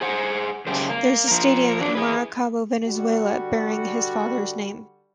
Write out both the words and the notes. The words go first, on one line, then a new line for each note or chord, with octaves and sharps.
There is a stadium in Maracaibo, Venezuela, bearing his father's name.
G#4 C5 F#5
F#2 C#3 G#3 G4 C5
A#3
F3 A#4
F#3 D4
E4 G#4 B4
D3 G3 F#4